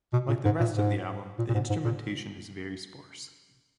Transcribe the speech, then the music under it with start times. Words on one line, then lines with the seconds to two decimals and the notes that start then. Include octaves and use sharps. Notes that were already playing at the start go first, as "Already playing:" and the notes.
Like the rest of the album, the instrumentation is very sparse.
0.13 B2
0.28 A#2
0.45 G#2
0.60 A#2
0.75 G#2
1.39 A#2
1.49 A#2
1.54 G#2
1.70 G#2
1.85 A#2